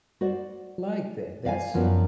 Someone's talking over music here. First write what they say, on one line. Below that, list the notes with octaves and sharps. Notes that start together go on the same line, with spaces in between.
Like that. That's
F#4 C5 D5
D5 F5 F#5 G#5
F#2 F3 F#3 B3 D4